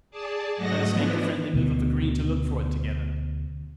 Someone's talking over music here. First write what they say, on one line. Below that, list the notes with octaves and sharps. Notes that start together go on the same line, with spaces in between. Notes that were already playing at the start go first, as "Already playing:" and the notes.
Let us make the friendly move of agreeing to look for it together.
G#4 D5 A5
G#2 F#3 A3 D#5 F#5 A#6
E3 F3 B3 D4 E4
D2 B2